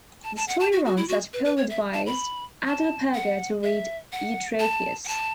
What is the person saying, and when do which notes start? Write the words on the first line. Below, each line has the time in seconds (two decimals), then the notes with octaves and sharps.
The story runs that Paul advised Adelperga to read Eutropius.
0.24 A5
0.36 A5
0.48 F#5
0.60 A5
0.72 F#4
0.85 F#4
0.97 E4
1.08 F#4
1.33 B4
1.45 B4
1.57 C#5
1.70 E5
1.94 A5
2.06 B5
2.67 A5
3.14 F#5
3.64 E5
4.12 F#5
4.60 A5
5.05 F#5
5.08 A5